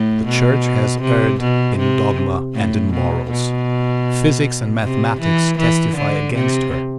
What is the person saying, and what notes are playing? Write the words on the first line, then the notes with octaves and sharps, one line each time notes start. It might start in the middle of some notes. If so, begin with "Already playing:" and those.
The Church has erred in dogma and in morals; physics and mathematics testify against her.
Already playing: A2
B2
C3
B2
C3
A2
B2
B2
C3
E3
E3
D3
C3